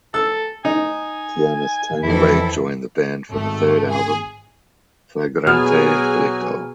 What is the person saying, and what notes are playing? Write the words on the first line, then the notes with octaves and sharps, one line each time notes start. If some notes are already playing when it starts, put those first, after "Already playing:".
Pianist Tony Wade joined the band for the third album, "Flagrante Delicto".
A4 E6
D#4 G#5
F2 E3 E4 A4
G#1 A3
G#4
B2 F#3 B3 G#4 G#5 F6